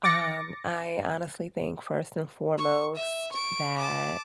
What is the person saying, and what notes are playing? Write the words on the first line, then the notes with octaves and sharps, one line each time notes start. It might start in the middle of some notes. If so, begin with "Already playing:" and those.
Um, I honestly think, first and foremost, that
D6 A6 A#6 C#7
C#6
E5
C#6 D7
A5 D6